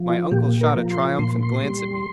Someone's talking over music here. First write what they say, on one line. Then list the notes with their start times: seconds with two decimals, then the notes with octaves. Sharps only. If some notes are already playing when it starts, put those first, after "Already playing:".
My uncle shot a triumphant glance at me.
Already playing: F3
0.10 F4
0.32 A#2 G4
0.61 A#4
0.75 F3
0.90 C6
1.19 A#2 C6
1.43 C6
1.62 G3